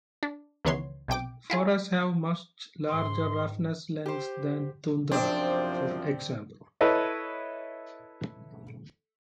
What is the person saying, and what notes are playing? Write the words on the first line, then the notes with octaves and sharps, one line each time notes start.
Forests have much larger roughness lengths than tundra, for example.
D4
C#2 D#3 E3 B3 C#5 C6
B1 C3 G5 D6
E4 F4 G#4
G#2 C6
G4 C5
F#2 C3 F3 C4 D4
E4 A4 B4 C#5 D#5